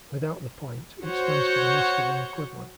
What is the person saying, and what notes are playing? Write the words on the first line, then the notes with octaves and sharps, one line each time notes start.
Without the point, it stands for the masculine equivalent.
F#4 C5 C#5 F#5 G6 C#7